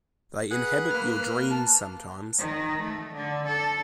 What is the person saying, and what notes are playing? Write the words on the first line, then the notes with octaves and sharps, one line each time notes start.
They inhabit your dreams sometimes.
G#4 B4 F#5 F#6
A#3 F6
A5
D#3
A3
D3
A4